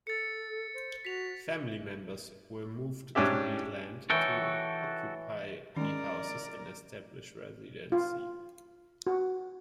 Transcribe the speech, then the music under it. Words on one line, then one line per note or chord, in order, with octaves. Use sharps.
Family members were moved to the land to occupy the houses and establish residency.
A4 A6 C#7
C5
F#4 B6 F7
G#2 C#4 D4 G4 E5
E3 F#4 A4 C#5 G5
D#3 G#3 C#4 A#4 D5
F4
F#4